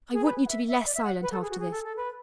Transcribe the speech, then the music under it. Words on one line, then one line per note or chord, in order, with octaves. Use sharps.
I want you to be less silent after this.
G#4
B4
F#5
E5
E5
E5
D5
E5
F#5
B4
A4
G#4
F#4
G#4
A4
A4
B4